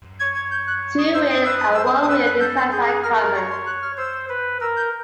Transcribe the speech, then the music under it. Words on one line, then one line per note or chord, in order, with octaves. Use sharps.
Two wheel and one wheel designs are common.
C#5 G#6
G#6
G6
F#6
D#6
C5 E6
D#6
B4 E6
D#6
E6
C5
D#6
D#6
B4 E6
F#6
A4 G6
G6
G#4 G6
F#6
A#4 F6
C#5 A#5
C6
F#6
F6
C5 E6
B4
A#4 E6
G6